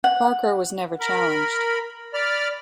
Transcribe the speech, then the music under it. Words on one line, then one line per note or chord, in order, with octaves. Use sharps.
Parker was never challenged.
F#5
A#4 B5
D5 B5 F6